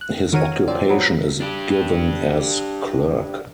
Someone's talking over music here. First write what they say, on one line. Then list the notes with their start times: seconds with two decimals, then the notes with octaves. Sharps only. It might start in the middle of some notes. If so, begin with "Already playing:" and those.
His occupation is given as "clerk".
0.01 F#6
0.33 D#3 F#4 A#4 C#5 D#7
0.68 F3 C4 D5
0.89 F#3 B3
1.40 D4 G4